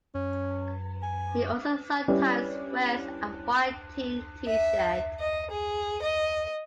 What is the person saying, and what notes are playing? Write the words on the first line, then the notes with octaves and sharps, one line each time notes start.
He also sometimes wears a white team T-shirt.
F#2 C#4
G#5
G3 C#4 E4 G4 B4 D5
E5
D#5
G#4
D#5